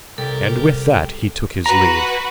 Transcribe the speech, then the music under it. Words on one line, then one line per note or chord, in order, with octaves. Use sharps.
And with that he took his leave.
C2 G4 A4 A#4
F#4 B4 A#5